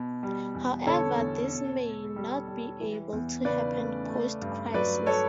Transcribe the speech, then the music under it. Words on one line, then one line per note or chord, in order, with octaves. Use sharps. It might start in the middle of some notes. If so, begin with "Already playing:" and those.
However this may not be able to happen Post-Crisis.
Already playing: B2
G3
E2
D3 A4 C#5
E2
B2
B2
G3
G3
E3
E2
C#3 B4 D5
A3
A3
G2
F#3 B4 D5
A4 C#5